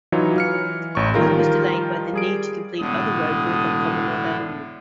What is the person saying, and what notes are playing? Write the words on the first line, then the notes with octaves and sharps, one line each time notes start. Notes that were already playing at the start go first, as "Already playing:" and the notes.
Work was delayed by the need to complete other roadwork on Commonwealth Avenue.
E3 F#3 D#4 F4 C#5
E3 F6 C#7
A1 C#6
D#3 F3 G3 F4 A#4 A#5
G3 G#4 D7
E1 A2 D3 D#6